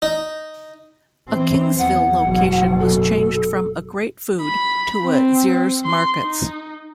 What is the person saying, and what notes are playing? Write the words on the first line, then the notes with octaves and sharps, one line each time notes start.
A Kingsville location was changed from a Greatfood to a Zehrs Markets.
D#4
E3 C4
E2 F#5
F#1 B2
A4
B5
C4
C6
D#4